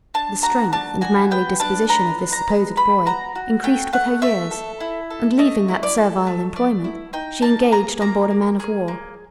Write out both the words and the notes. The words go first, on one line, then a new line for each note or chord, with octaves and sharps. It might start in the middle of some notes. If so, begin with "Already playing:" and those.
The strength and manly disposition of this supposed boy increased with her years, and leaving that servile employment, she engaged on board a man-of-war.
D4 A5
F#4 A#5
D4 A5
F#4 G#5
B3 G5
D4 A5
B3 A#5
D4
A#5
B3
B3 B5
F#4 A#5
F#4
A3 G5
A3 F#5
A3 E5
A4
E4
A4
A3 D#5
E4
D5
A4
A3
A3 D5
E4
D#4 G5
A#3 A5
G#4 A#5
A#3 A#5
A#3
G#4
A#3